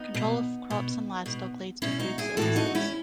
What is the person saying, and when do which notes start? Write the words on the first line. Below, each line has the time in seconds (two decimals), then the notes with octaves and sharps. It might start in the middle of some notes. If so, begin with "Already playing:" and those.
Control of crops and livestock leads to food surpluses.
Already playing: B3 D#4
0.14 B2
0.70 B2
1.26 B2
1.82 B2 C#4 E4
2.00 D#4 F#4
2.18 E4 G#4
2.37 A2 E3 F#4 A4
2.56 D#4 F#4
2.75 C#4 E4